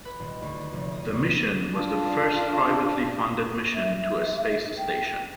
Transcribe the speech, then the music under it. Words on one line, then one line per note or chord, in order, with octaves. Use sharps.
The mission was the first privately funded mission to a space station.
B4
D#1
D2
F1
D#6
D2
D4 F4
E5
G5